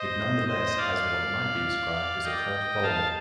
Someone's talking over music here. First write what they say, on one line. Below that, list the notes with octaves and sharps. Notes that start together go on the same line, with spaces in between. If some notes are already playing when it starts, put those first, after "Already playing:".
It nonetheless has what might be described as a cult following.
Already playing: C5 D#5
C5 D#5
D5 F5
D#5 G5
F5 A5